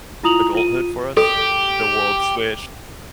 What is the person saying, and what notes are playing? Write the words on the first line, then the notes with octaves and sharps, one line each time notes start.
adulthood for us, eh, the world switched.
E4 F4 A#5 D#6 F7 F#7
F4 D#7
G4 A4